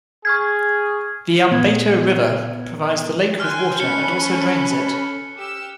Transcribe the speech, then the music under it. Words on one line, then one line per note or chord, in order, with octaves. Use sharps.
The Ambato River provides the lake with water and also drains it.
G#4 C#6 F6 G#6
A#2 B3 G#6
G5 G#5 C6 F6 F#6
C#4 A4 B5 C#7
G4 E6